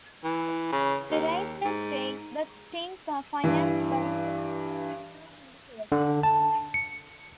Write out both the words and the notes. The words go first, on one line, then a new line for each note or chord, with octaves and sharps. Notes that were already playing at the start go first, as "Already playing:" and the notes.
To raise the stakes, the Tings are financed by international criminal syndicates.
E3
C#3
D#2
G#2
G2 E3
D3
A5
C#7